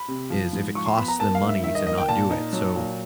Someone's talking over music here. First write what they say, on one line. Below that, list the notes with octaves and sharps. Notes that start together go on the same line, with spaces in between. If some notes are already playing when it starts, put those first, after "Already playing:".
is if it costs them money to not do it, so,
Already playing: B5
C3
F3
G#2
F3 C#6
C6
B3 B5
A#5
A#3 A5
F5
G2
E5
D#3 E5
D#5
A#3 D#5
G5
A#2 A5
D#4
F#3
A#2